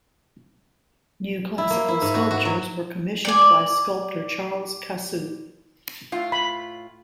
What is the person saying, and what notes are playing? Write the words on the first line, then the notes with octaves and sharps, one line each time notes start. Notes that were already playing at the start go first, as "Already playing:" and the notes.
New classical sculptures were commissioned by sculptor Charles Cassou.
E4
A#3
E4
G#2
F#4
F#4
F#3
D5 G#5
A2 F4
B5